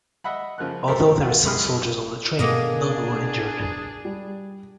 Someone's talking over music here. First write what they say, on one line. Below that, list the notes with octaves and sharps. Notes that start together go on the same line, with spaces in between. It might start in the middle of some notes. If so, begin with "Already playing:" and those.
Although there were some soldiers on the train, none were injured.
D#5 E5 F#5 B5
C#3 F3 A#3 F#6
G4 A4 A#4 C5 E5
F4 F#4
F#2 G#3 G4 B5 D#6 F6
B2 A3 A#3 D4 G#4 D#5
G3